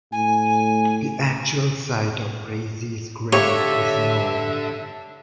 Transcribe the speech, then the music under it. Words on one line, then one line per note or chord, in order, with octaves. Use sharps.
The actual site of Reizei's grave is known.
A2 G#5
D4 G4 A4 C#5 E5 F5 D6